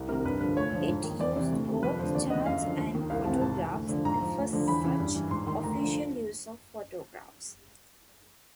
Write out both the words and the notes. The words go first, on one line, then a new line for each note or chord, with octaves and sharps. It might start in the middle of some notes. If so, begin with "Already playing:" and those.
It used both charts and photographs, the first such official use of photographs.
Already playing: C2
C3 D#3 A#4
G2 B4
D3 F3 B4
D2 C#5
D3 F3
G#2
D#3
E2 D5
C3 E3
D2
C3 D#3
F2 B4
D3 F3 C5
D#2 D5
C#3 E3 D#5
F#2 F5
D3 F3
D#2
D#3
C2 F5
C3 E3 A5
G#2 A5
E3
D2
D3 F3
G#2 A#5
F3
D2
D3 F3
E2 B5
C#3 E3
G2
E3
G#2 C6
D#3 C6
D2 A#5
D3 F3